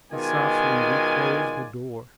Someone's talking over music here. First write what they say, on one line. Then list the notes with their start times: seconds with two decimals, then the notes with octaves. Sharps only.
He softly reclosed the door.
0.12 B2 D#3 G#3 F4 D5 G#5